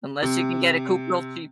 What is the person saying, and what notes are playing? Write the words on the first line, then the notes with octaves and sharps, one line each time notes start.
unless you can get a coop real cheap.
C3